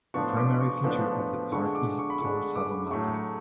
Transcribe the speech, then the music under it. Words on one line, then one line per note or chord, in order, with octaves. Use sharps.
A primary feature of the park is tall Saddle Mountain.
A2 F3 B3 D4 C#6
D6
C#6
A2 F3 B3 D4
D3 G#3 D4 C#6
D6
C#6
B5
D3 G#3 D4 C#6
D6
A2 F#3 A3 C#6
C#6